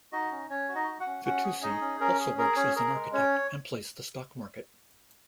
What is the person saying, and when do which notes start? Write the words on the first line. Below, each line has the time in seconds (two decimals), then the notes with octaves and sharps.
Fitoussi also works as an architect and plays the stock market.
0.12 D#4 F#4 D#5
0.31 C#4
0.50 C#4 C#5
0.69 F#4
0.75 D#4 D#5
0.88 F#4
1.00 F#4 F#5
1.06 C#4
1.25 C#4 F#4 F#5
1.44 G#4
1.63 D#4 G#4 D#5
1.81 C#4
2.00 C#4 A#4
2.20 G#4
2.38 G#4 A#4
2.56 C#4 C#5
2.75 G#4 A#4
2.94 G#3
3.13 C#4 C#5